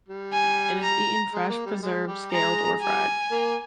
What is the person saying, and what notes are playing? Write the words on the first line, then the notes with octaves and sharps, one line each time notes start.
It is eaten fresh, preserved, scalded or fried.
G3
G#5
A#5
G#3
A#3
G3
G#3
G3 G4
G#3 G#4 A#5
G3 G4 G#5
A#3 A#4